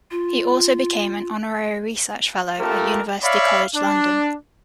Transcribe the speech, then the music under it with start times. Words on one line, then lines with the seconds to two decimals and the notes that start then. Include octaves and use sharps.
He also became an honorary research fellow at University College London.
0.11 F4
2.60 A3 F4 G4 A4 A#4
3.23 C#5 D5 E5 F5 B5
3.76 D4